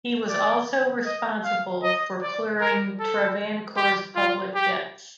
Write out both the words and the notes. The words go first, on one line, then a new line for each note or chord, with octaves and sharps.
He was also responsible for clearing Travancore's public debts.
D5
D#5
F5
D#5
D5
A#4
A4
G4
F4
G4